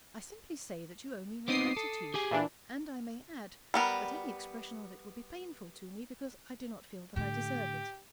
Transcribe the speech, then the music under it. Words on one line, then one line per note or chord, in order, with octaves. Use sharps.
'I simply say, that you owe me no gratitude; and I may add, that any expression of it will be painful to me, because I do not feel that I deserve it.
B3 C4 D#4 D6 D#6 C7
A4
G4 G#4 G#5
A#2 E3 D4
G3 B3 A#4
A2 D3 G4